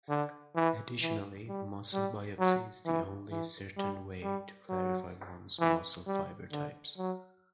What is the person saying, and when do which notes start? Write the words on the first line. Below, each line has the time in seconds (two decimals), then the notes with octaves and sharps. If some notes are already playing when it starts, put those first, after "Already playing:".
Additionally muscle biopsy is the only certain way to clarify ones muscle fiber types.
0.09 D3
0.55 E3
1.01 E3
1.48 G3
1.93 G3
2.39 F#3
2.85 E3
3.30 E3
3.77 G3
4.23 G3
4.69 F#3
5.60 E3
6.07 G3
6.52 D3
6.97 F#3